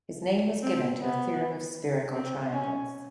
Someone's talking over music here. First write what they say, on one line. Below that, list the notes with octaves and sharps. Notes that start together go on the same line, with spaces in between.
His name was given to a theorem of spherical triangles.
C4
B3
C4
C#4